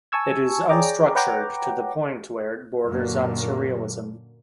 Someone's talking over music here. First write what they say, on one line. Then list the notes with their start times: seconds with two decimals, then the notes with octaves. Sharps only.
It is unstructured to the point where it borders on Surrealism.
0.12 G#5 A5 C#6 E6 G#6
0.69 G#4 C#5 D5 G5 A#5 D6
1.15 B4 C#5 F#5 G5 A#5 D6
2.87 F#2 A#2 D3 F#3 A#3